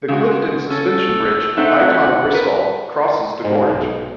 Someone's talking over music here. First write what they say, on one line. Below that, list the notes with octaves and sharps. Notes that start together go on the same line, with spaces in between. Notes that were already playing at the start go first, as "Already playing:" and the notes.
The Clifton Suspension Bridge, an icon of Bristol, crosses the gorge.
C#3 G#3 F#4
C#4 A4
A3 C4 D#4 F#5
A#4 B4
G#2
B1